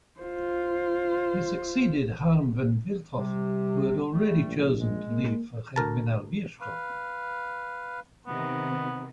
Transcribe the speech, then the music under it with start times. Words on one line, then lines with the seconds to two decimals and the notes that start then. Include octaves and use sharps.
He succeeded Harm Van Veldhoven, who had already chosen to leave for Germinal Beerschot.
0.20 F4 C5
3.17 C3 G3
4.12 G3 A3
4.45 A#1
4.78 G#3
5.10 A#3
5.76 D2 A#4 A5
6.61 B4 F5
8.27 C3 D#3 B3